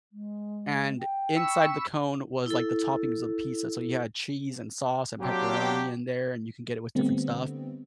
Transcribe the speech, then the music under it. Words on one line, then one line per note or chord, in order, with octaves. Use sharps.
and inside the cone was, like, the toppings of pizza, so you had cheese and sauce and pepperoni in there, and you can get it with different stuff,
G#3
G5
B5 C#6 E6
E4 A4
F#3 A#3 C4 D4 F#4 G4
D3 G3 A3 B3 C4